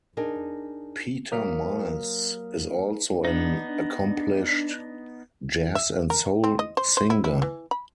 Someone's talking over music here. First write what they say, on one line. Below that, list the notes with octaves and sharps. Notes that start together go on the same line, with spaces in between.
Peter Miles is also an accomplished jazz and soul singer.
D4 D#4 G#4 A#4
F#3 A#3 A#4 D#6 F6 B6
B3 D4 D#4
E5
A#4
C4
D#5
C5
C5
E4
E4
E3
B5